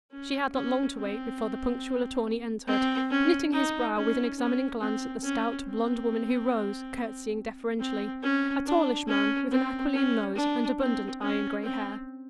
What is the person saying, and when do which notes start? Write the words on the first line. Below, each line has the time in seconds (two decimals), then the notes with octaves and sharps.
She had not long to wait before the punctual attorney entered, knitting his brow with an examining glance at the stout blond woman who rose, curtsying deferentially,--a tallish man, with an aquiline nose and abundant iron-gray hair.
0.12 C#4
0.54 C#4
0.97 C4
2.67 C4
3.11 C#4
3.53 D#4
3.96 C#4
4.39 C#4
4.81 C4
5.24 C#4
5.66 C4
7.80 C4
8.23 C#4
8.66 D4
9.08 C#4
9.51 C4
9.93 C#4
10.36 D4
10.79 C4
11.21 C#4
11.64 C4